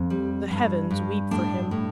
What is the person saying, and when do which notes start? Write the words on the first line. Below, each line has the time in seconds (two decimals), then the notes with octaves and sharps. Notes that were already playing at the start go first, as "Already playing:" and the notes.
The heavens weep for him.
Already playing: F2
0.10 G3
0.51 G2
0.91 G2
1.31 A2 D4
1.71 A2